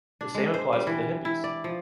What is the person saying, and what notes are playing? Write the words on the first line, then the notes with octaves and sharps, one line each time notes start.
The same applies to the hippies.
D4
G#3
C5
G3
E3
E4
D5
F3